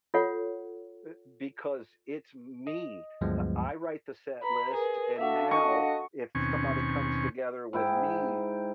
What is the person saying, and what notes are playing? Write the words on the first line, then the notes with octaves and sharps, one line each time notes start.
e because it's me. I I write the set list, and now if somebody comes together with me,
F4 A4 C#5 F#5
D#5
D2 G2 F3 F#3 G#3 B3
B4 A#5 B5
G#4 A#4 B4
D4 F#4 A4 E5 F5
D#5 C#6
D#2 B2 C4 C#4 G#5 C#6
G#2 E4 G5